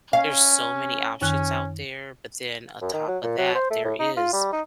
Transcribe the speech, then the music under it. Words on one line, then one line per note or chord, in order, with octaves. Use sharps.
There's so many options out there, but then on top of that, there is
C#4 F5
F#2 D#3 C#4 F#6
F#2
D#3
F#3
A#2
F#3
C5
A3
A2
D#4
F4
G3
D#4